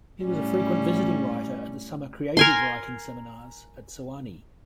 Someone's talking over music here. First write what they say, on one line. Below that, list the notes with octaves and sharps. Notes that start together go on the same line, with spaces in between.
He was a frequent visiting writer at the summer creative writing seminars at Sewanee.
A2 G3 C#4
A#4 G#5 C6